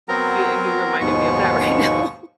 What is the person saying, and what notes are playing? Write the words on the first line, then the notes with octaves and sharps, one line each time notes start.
A and you reminded me of that right now,
F#3 B3 C4 A#4 A#5
D#2 G#2 B2 F3 B3 C#6